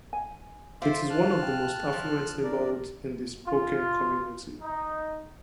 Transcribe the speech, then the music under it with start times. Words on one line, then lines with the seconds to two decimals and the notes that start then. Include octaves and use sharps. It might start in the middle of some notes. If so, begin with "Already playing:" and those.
It is one of the more affluent neighborhoods in the Spokane community.
0.13 G#5
0.82 F4 C5 E5 C6 D6
1.10 A5 F6 F#6
1.43 G5
1.93 F3
2.43 D4 A#4 D5
3.48 F4
4.63 D#4